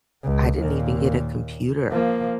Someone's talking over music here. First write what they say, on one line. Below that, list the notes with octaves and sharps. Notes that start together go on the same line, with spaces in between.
I didn't even get a computer
C#2
D#2 A#2
F3 A#3